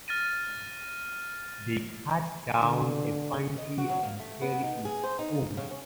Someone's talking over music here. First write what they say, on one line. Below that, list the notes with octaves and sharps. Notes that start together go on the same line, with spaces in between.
They cut down a fine tree and carry it home.
F6 A6 A#6 D#7
D3
D#5
F#4
F#3
A#3
A3
B3
D#4
G#4
C5
D#4
C#3
C#4